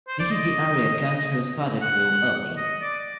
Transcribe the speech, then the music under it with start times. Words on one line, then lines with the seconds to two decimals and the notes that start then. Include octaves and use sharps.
This is the area Cantrell's father grew up in.
0.08 C5
0.20 D5
0.31 D#5
1.82 F#5
2.57 D#5
2.82 D5